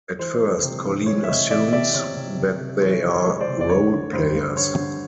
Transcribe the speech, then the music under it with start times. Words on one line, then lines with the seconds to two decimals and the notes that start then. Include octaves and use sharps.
At first Colleen assumes that they are role-players.
0.19 E3 C5
0.41 G#3
0.63 C3
0.85 E3
1.06 G#3 C#5
1.24 E5
1.28 C3 C#5 D#5
1.51 E3 D5 E5
1.72 C3 D5 E5
1.94 C3 C#5
2.16 C3
2.37 C3
2.60 C3
2.81 E3 C#5
3.04 C3
3.11 C#5
3.26 G#3 C#5
3.40 C5 D5
3.47 C3
3.61 D5
3.69 D3 C#5
3.91 D3
4.13 G2 C5
4.35 G2
4.56 D3 C#5
4.79 D3